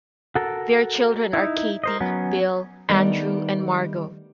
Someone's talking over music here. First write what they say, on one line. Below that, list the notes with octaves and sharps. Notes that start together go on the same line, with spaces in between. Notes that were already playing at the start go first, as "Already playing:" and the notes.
Their children are Katie, Bill, Andrew and Margot.
F#4 A4 A#4
D#4 E4
A#4 C5 D#5
F#3 B3 C#4
D#3 G3 A3 B3 D4 D#4